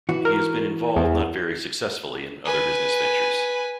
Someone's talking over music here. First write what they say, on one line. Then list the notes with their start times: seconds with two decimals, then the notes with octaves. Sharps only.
He has been involved not very successfully in other business ventures.
0.09 E3 F#4
0.25 A#4
0.96 E2
2.45 B4 G#5